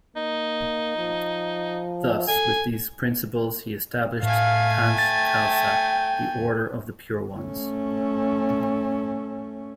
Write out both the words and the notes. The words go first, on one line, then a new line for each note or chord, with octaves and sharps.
Thus with these principles he established Panth Khalsa, the Order of the Pure Ones.
A#3 D#4
F3
A4 G#5
A2 A3 F5 G#5
G5 A6
A3 C#4